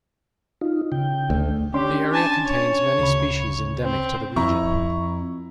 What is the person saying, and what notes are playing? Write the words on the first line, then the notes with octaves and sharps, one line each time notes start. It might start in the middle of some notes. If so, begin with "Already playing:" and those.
The area contains many species endemic to the region.
D#4 F4
C#3 G5
D2
C#4 D4 G4 C6
G#5 A5
C#5
D2 C#3 B5
C4
F2 E4 A#5 C#6